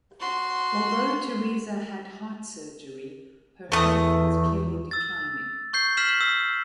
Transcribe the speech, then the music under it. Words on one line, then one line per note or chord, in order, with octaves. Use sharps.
Although Teresa had heart surgery, her health was clearly declining.
F#4 C6
E2 A3 D#6
E6 A6
C#6 G6 C7 G7
F6 B6 C7 E7 F#7 G7
E6